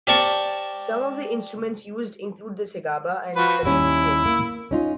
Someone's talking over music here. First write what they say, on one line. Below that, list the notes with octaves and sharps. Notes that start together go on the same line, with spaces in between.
Some of the instruments used include the segaba and setinkane.
G4 A#4 C5 D5 A5 C#6
F3 F#4 B4
D#2 G3 C#4 E4
A#3
C#4 D#4 F4